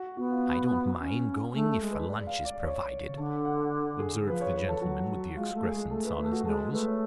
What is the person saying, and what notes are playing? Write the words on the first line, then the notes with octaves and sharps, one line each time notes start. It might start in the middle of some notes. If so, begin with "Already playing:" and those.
"I don't mind going if a lunch is provided," observed the gentleman with the excrescence on his nose.
Already playing: F#4
B3 F#4
F4
C#4
A3 G#4
A4
G#3
B4
D5
F5
D5
C#5
D3 A4
F#5
G#4
F3 B4
C#5
B4
A4
F#3 F#4
G#3 F4
A3
G#4
G#3
A3 A4
B4
A3 G#4
F#4
G#3 A4
G#4
A3 B4
C#5